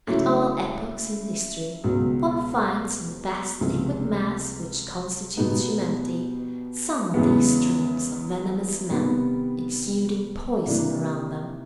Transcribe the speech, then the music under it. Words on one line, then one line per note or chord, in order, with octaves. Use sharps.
At all epochs in history one finds in the vast liquid mass which constitutes humanity some of these streams of venomous men exuding poison around them.
C#3 F#3 A3 C#4 E4
C#2 B2 F#3
C#2 C3 F3 G#3
B2 G3 B3 D#4
E2 C#3 E3 G#3 B3
C3 D#3 G3 B3
C3 E3 G3 A#3 D4